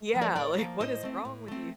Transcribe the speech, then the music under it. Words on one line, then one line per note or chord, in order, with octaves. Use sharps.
Yeah, like, "What is wrong with you?"
F3 A#3
A#4 D5
A2 A#4 D5
F3 A#3
A2 C5 D#5
A3 C4
A2
A3 C4